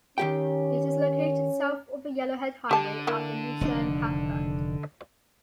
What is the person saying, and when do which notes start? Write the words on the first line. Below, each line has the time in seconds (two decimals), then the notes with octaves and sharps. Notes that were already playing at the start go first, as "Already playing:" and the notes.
It is located south of the Yellowhead Highway at Lucerne Campground.
0.18 D#3 C#4 G4 G5
2.71 D3 G4 A5
3.07 A#3 E4
3.61 F1 D#3 D4